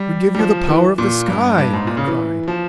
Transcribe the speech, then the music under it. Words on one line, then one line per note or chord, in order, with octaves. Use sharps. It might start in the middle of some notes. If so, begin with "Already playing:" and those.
"We give you the power of the sky!" we cried.
Already playing: G3
G3
F3
E3
A#2
G2
G2
G#2
A#2
C#3
E3
F3